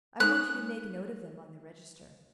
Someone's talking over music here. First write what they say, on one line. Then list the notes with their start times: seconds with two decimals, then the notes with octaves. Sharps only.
I want you to make a note of them on the register.
0.20 G#3 D#4 F#6